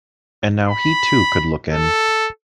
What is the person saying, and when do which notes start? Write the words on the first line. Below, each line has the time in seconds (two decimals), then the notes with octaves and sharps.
And now he too could look in.
0.68 B5
1.73 A4